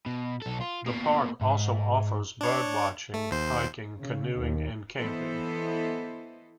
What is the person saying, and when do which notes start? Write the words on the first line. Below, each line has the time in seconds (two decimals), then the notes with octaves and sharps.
The park also offers bird watching, hiking, canoeing, and camping.
0.06 B2
0.42 B1 A4
0.61 F4
0.86 B2 A#3
1.41 G#2
2.41 D4 C#5
3.14 A3
3.31 D#2 C5
3.97 C#3
4.38 D#2
4.97 E3 B3 E4 A4 C5 D#5